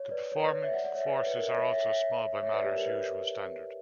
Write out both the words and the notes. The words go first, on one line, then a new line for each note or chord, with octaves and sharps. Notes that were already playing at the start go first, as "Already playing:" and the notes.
The performing forces are also small by Mahler's usual standard.
Already playing: C#5
B4 D5
C#5
B4 D5
C#5
C#5 E5
D5 F#5
D5 F#5
C#5 E5
B4 D5
C#5
B4
A#4
C#5 E5
C#5 E5
C#5 E5
C#5 E5
C#5 E5
B4 D5
G4
A#4
B4